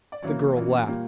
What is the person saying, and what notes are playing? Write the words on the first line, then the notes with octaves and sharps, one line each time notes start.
The girl laughed.
D5
F#2 E3 A#3 C#5
F#2 E3 A#3
A#2 G3 A#3